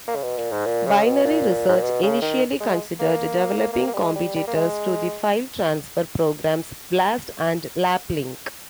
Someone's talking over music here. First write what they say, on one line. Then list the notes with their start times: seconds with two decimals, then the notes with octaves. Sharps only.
Binary Research initially considered developing competitors to the file transfer programs Blast and Laplink.
0.08 A#3
0.16 C#3
0.23 B2
0.37 A#2
0.51 G#2
0.66 A#2
0.86 C#3
1.05 B2
1.24 A#2
1.69 G#2
1.75 A#2
1.82 B2
2.03 C#3
2.22 D#3
2.60 G#3
2.99 A#3
3.57 A#3
3.73 A#3
3.87 A#3
3.94 G3
4.01 G#3
4.15 G3
4.36 G3
4.47 A#3
4.55 G#3